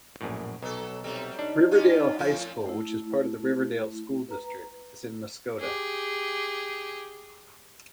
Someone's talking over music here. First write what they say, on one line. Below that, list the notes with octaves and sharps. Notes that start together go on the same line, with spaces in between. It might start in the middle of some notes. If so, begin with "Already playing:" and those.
Riverdale High School, which is part of the Riverdale School District, is in Muscoda.
A#1 F#2 A2
B1 F#3 A4
C3 F#3 G3 C4
D4 D#4
G3 C#4 F4
A2 F3 C4 F4
A3 E4
B4 A#5
G4 G#4